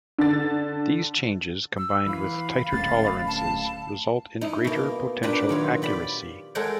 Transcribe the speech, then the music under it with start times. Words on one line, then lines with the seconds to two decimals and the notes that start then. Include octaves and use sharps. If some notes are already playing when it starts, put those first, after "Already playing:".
These changes combined with tighter tolerances result in greater potential accuracy.
0.19 D3 A6
1.77 E6
2.07 E3 F5 B5
2.72 D1 A3 C#4 A6
3.28 A5
4.41 D#4 E4
4.64 B2 A#3
5.23 A#2 D4 G4 A#4 B4 B5
5.49 D#3 F#3 F4
5.82 G4 D5 B5
6.55 G#3 A4 A#4 C#5 F#5 G5